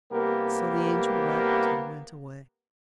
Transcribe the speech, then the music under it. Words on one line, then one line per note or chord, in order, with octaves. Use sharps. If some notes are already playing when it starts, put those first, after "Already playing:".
So the angel wept and went away.
C2 A#3 B3 G4 A#4